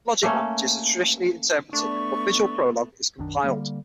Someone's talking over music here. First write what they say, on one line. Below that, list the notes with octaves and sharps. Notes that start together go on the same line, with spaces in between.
Logic languages are traditionally interpreted, but Visual Prolog is compiled.
A3 A#3 C#4
A3 B3 D4 C#6
B1 F#2 D#3 D4
D3 G3 A#3